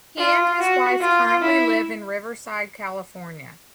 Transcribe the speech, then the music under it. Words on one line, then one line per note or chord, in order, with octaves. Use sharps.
He and his wife currently live in Riverside, California.
F4
F#4
F4
E4